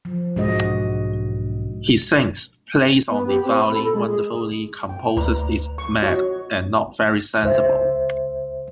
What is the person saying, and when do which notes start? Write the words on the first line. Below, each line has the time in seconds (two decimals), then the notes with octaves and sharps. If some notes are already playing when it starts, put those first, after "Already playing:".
He sings, plays on the violin wonderfully, composes, is mad, and not very sensible.
0.05 F3
0.36 B1 G#2 G#3 D4 F#4 D#5
3.10 B3
3.27 G4
3.44 C4
3.59 B5
3.72 A4
3.94 G#3
4.09 G#4
4.89 G5
5.17 D2 B4 A#5
5.78 C#6
6.03 F#4 C#5 D#5
7.43 C#2 C5 E5